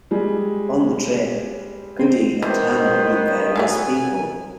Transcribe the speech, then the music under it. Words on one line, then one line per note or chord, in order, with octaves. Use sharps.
On the trip, Goody and Hannah meet various people.
G3 G#3
C4
D#3 E3 B3 C5
F#3 E5 F5 G#5